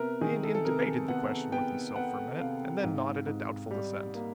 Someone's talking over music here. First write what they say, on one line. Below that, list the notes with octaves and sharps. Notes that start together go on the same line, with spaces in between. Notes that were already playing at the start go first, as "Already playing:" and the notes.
The Indian debated the question with himself for a minute and then nodded a doubtful assent.
Already playing: C3 B3 A#4 E5
D#3 G#4
A4
A4
C3 A#4
B3 F#5
B3 G5
B3 F#5
C3 F5
G#2
G#2
G3
A#3